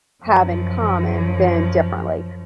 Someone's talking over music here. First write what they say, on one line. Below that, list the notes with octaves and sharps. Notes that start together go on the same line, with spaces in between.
have in common than differently.
F#2 F3